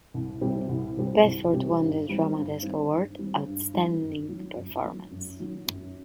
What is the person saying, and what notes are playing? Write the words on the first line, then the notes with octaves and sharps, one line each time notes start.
Bedford won the Drama Desk Award, Outstanding Performance.
C2
C3 G3 C4 G4
C2
C3 G3 C4 G4
C2
C3 G3 C4 G4
G2
D#3 G3 C4
G2
D#3 G3 C4
G2
D#3 G3 C4
G2
D#3 G3 C4
F#2
D#3 F#3
F#2
D#3 F#3
F#2
D#3 F#3
F#2